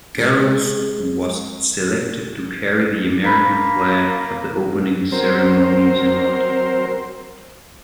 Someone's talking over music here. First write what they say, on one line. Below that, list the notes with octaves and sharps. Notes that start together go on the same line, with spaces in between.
Garrels was selected to carry the American flag at the opening ceremonies in London.
G#3
A#3 B5 B6
F#3 C4 A#4 C5